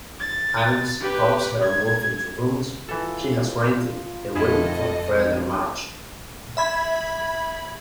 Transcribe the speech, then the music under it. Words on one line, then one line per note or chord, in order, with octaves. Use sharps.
Agnes helps her move into rooms she has rented away from Fred and Marge.
A6
G4 B4
G#6
E3 F4 A4
F2 E4 G#4 A4 D#5
E5 B5 G#6